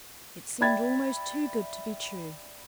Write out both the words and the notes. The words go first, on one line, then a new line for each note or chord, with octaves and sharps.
It seemed almost too good to be true.
D5 E5 G5 B5 G#6 A6